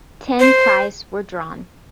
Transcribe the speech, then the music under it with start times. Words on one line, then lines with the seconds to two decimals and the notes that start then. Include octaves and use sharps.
Ten ties were drawn.
0.40 C5